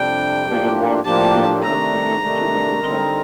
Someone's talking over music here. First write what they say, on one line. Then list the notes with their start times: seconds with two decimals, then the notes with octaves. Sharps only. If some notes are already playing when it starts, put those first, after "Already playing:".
They had walked together up the hill to the hotel.
Already playing: F2 C3 G3 D4 G5
0.45 A2 F3 A#3 D4 G4
1.04 A2 F3 A#3 D4 G4 A5
1.62 C3 D#3 A3 D4 A#5
2.20 C3 D#3 A3 D4
2.79 D3 G3 C4 D#4 A#4